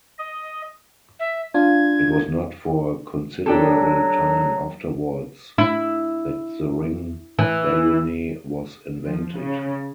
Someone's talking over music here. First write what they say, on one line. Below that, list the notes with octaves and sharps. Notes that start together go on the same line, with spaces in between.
It was not for a considerable time afterwards that the ring bayonet was invented.
D#5
E5
D4 F4 G#6
F#3 D4 G4 A4
E4
E3
F3
C#3